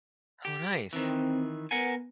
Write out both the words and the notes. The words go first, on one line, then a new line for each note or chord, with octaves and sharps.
Oh, nice.
G4
D#3 E3 C4
B3 A#4 F#5 G#5